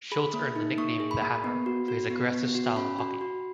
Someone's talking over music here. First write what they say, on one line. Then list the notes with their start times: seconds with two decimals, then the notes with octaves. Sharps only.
Schultz earned the nickname "The Hammer" for his aggressive style of hockey.
0.12 G#4 B5
0.34 A#3
0.56 D#4
0.78 A#3 C#6
1.00 G#4
1.11 B5
1.22 A#3
1.44 B3
1.66 F#4
1.88 F#4
2.10 B3
2.33 B3
2.55 F#4
2.77 C#4 B5
2.99 F#4
3.21 F#4